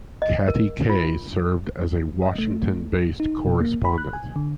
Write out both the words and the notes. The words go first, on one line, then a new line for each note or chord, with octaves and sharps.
Katty Kay served as a Washington-based correspondent.
D#5
A#4
F4
D#5
A3
D#4
B2
A#3
B5
F#6
G#5
D3